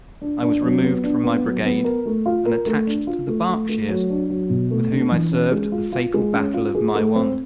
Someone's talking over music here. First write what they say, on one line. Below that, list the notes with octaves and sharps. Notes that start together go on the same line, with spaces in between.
I was removed from my brigade and attached to the Berkshires, with whom I served at the fatal battle of Maiwand.
D4
D4
F#3
B3
D4
B3
F#3
B3
A#4
A3
F4
A#4
A3
D4
F4
A3
A3
A3
F#3
D4
F#3
B2
A3
D4
E3
C#4
G#3
F4
F4
G#3
C#4
F4
G#4
A3
C4